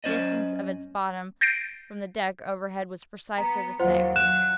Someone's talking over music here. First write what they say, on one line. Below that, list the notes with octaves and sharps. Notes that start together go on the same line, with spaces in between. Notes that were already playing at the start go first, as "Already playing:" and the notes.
The distance of its bottom from the deck overhead was precisely the same.
F#2 C#4 C5 D5 D#5
G6 A6 A#6 C7 D7
B3 A#5
D#2 F#3 F4 C5 F#5
F#3 F#6 E7